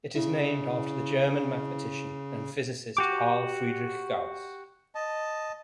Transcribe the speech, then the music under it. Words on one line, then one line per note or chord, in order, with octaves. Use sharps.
It is named after the German mathematician and physicist Carl Friedrich Gauss.
C#3 E4
F#4 G4 D6
D#5 A5